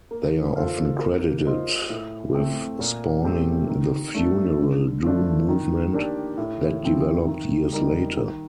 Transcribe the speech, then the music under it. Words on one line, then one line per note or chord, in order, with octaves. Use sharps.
They are often credited with spawning the funeral doom movement that developed years later.
A#3
F4 A4 C5 F5
A#3
F4 C5 D#5
A2
A3 C4
A#2
A3 C4 G4
D#3
A3 D4 A4
D3
F3 A3 D4
D#3
A#3 D4 G4 D5
A2
F3 C4
D#3
G3 A#3 D#4
D#3